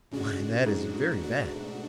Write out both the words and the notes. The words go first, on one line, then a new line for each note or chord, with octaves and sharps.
Why, that is very bad!
A2 C#3 G#3 D4 F#4
G#2
B2 A3 D4 F#4